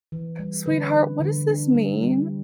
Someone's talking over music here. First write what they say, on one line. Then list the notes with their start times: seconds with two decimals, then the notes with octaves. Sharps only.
"Sweetheart, what does this mean?"
0.12 E3
0.39 G3
0.66 D3 B4
0.93 D4
1.20 D3
1.48 D4
1.75 G3
2.02 G3